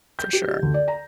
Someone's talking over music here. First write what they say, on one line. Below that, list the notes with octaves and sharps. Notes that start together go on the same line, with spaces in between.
For sure.
G6
G4
G4
D2
D5
A#5